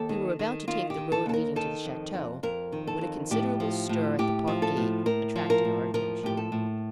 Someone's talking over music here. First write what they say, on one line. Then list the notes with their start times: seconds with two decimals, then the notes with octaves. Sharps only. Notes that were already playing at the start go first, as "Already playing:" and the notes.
We were about to take the road leading to the chateau, when a considerable stir at the park gate attracted our attention.
Already playing: D#2 A4
0.09 D#3
0.39 D#3
0.68 D#3 F4
0.90 G4
0.97 D#3
1.12 A4
1.26 D#2 A4
1.33 A#4
1.56 D#3 A4
1.85 F2
2.14 F2
2.43 F2 A#4
2.72 D#3
2.87 A4
3.01 F2
3.31 A2 G4
3.60 F3
3.89 A2
4.19 A2 G4
4.47 F3
4.62 A4
4.77 A2
5.06 A2 A#4
5.36 F3
5.50 A#4
5.65 A2
5.94 F3 A#4
6.23 A2 G4
6.37 A4
6.52 A2